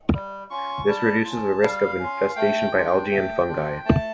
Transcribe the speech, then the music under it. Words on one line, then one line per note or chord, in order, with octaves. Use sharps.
This reduces the risk of infestation by algae and fungi.
G3
C#4 F4 C#6
G3 A5
C#4 F4
G3 F5
C#4 F4
A3 G5
D4 F4
A3
D4 F4
A3 A5